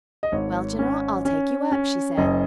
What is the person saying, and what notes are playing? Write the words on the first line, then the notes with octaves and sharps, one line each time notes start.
"Well, general, I'll take you up," she said.
D#5
G#1 C#5
C#4
C#4
C#4
F#1 D#5